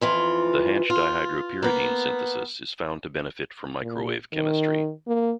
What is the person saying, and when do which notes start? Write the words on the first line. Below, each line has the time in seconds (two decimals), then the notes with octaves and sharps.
The Hantzsch dihydropyridine synthesis is found to benefit from microwave chemistry.
0.01 F2 E3 F4
0.90 F4
1.62 A#3 B3
3.82 A#2
4.33 D#3
5.07 A#3